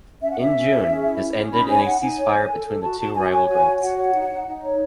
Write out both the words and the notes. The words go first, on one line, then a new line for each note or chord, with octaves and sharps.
In June, this ended in a ceasefire between the two rival groups.
C#4 E5
F#5
C#4 E5
C#4
G#4
C#4
E4
C#4
C#4
D#4 B5
C#5 G#5
D#4 F#5
D#4 G#5
C#5
C#5
A4
A4
F#4 A5
F#4 A5
F#4 G#5
C#5 G#5
F#4 G#5
C#5
F#4 F#5
C#5
D#4
D#4
D#4
C#5